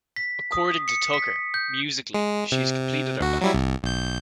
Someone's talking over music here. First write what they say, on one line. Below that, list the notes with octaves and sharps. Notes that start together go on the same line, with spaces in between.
According to Tucker, Musically, she's completed our band.
B6
D#6
C#7
B6
G6
G#3
C3
D2 F#4
F#3 G3 E4
C2
B1 G6